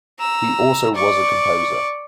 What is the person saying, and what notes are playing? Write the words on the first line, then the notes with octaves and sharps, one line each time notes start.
He also was a composer.
A#5 E6
D5 C#6